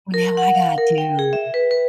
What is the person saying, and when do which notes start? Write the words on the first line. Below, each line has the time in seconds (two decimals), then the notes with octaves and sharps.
Well, now I got to.
0.14 A#4
0.37 F#5
0.55 F5
0.78 A#4
0.98 G5
1.19 G#4
1.33 E5
1.54 B4
1.71 B4